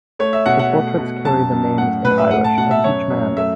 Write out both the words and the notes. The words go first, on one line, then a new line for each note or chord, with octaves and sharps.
The portraits carry the names in Irish of each man.
A3 C#5
E5
B2 F#5
F#5
A3
B2
F#2 A5
F#2
A2 F#5
A2 B4
E5
A3 F#5
A5
B2 F#5
E5
F#2 C#5
F#2
A3 E5